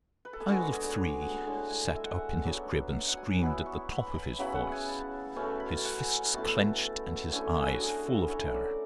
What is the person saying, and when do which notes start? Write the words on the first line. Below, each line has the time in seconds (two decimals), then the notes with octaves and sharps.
A CHILD of three sat up in his crib and screamed at the top of his voice, his fists clinched and his eyes full of terror.
0.25 B4
0.33 A4
0.40 G#4
0.48 D3 G#3 B3 F#4
0.73 G#4
0.83 D5
0.89 C#5
0.97 B4
1.22 F#5
1.46 A2 G#3 D4
1.70 G#5
1.95 E5
2.05 F#5
2.16 E5
2.44 F#3 B3 D4
2.93 F#5
3.08 F#5
3.17 G#5
3.41 F#3 B3 E4 B5
3.66 C#6
3.90 B5
4.14 B5
4.39 C#3 F#3 B3 E4 B5
4.55 F#5
4.72 G#5
4.88 A5
5.36 B2 A3 C#4
5.60 B5
5.69 A5
5.77 G#5
5.85 F#5
6.34 B2 A3 C#4 E4 A5
7.31 D3 A3 C#4 E4 G#5
7.57 F#5
7.74 F#4
7.81 G#4
7.98 G#4
8.06 A4
8.30 F#3 A3 E4 C#5
8.54 D5